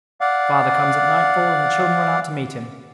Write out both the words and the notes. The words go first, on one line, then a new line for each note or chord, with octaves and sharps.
The father comes at nightfall, and the children run out to meet him.
D5 F5 F#5